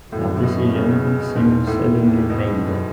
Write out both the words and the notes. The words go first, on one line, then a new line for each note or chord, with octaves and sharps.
Her decision seemed suddenly made.
F#2 A2
A2
B2
C#3
C#3
C#3
B2
E2 G#2
A2
E2
B2
F#2